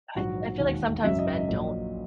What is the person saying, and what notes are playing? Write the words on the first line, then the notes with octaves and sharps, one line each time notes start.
I f I feel like sometimes men don't
A#1 G#2 D#3 F#3 F#4
E1 D#2 D#3
G#1 F#2 C#3 F#3 E5
D#5
D#5
A#1 A#2 F#3